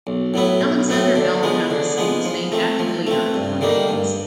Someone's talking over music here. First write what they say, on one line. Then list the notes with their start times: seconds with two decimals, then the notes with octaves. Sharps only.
Alexander Bell Patterson was named acting leader of the remains.
0.07 B1
0.34 A2 F#3 B3 E4
0.61 B1
0.89 A2 F#3 B3 E4
1.16 D3
1.43 F3 G#3 B3
1.70 D3
1.98 F3 G#3 B3
2.25 F3
2.52 A3 C4
2.79 F3
3.07 A3 C4
3.34 G2
3.61 D3 G3 A#3 D#4
3.89 G2